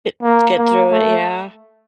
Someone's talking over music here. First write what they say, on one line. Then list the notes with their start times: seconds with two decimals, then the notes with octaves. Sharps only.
Eh, get through it, yeah.
0.22 A#3
0.58 A#3
0.91 A3